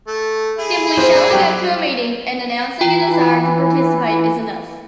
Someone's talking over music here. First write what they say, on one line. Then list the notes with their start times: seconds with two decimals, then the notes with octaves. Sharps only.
Simply showing up to a meeting and announcing a desire to participate is enough.
0.08 A3
0.58 E4 G#4
0.97 F2 F3 C5
1.15 D4
1.31 F#3 G3 G4
2.81 E3 F4 G5 A#5